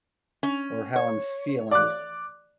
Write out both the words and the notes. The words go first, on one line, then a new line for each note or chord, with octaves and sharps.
or how I'm feeling.
C#4
C#5
D5 D6 F#6